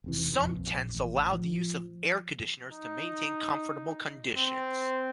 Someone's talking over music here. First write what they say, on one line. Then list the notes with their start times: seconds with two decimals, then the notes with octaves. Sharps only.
Some tents allow the use of air conditioners to maintain comfortable conditions.
0.04 E1 C3 E3
0.34 F2
0.46 A#1
0.95 A1
1.33 F3
2.72 D#4
4.37 C4